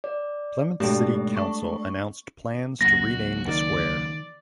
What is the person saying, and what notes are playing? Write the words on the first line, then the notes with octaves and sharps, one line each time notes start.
Plymouth City Council announced plans to rename the square.
D5
G#2 B2 G#3 A3 D4 G4
D4 C#6
C#2 F#3 A#3 F#4 A#6
D#3 D5